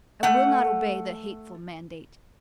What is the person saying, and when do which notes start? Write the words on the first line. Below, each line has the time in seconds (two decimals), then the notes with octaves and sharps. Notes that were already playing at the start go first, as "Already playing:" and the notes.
I will not obey the hateful mandate!
0.23 A3 F#5